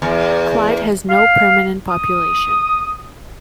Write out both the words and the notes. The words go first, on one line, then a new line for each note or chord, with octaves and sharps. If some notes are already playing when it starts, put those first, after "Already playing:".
Clyde has no permanent population.
E2
F5
D#6